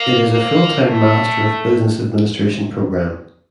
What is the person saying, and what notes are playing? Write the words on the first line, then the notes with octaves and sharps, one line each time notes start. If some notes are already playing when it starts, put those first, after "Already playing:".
It is a full-time Master of Business Administration programme.
Already playing: A#3
A#3
A3